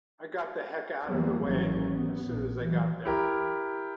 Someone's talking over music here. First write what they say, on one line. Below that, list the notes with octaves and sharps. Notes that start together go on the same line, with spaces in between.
I got the heck out of the way as soon as they got there.
E2 E3 F3 G3 A#3 B3
G#1 D#2 E3 F#3 A#3 C#4
B3
A#1
E3 F#3
E4 G4 A#4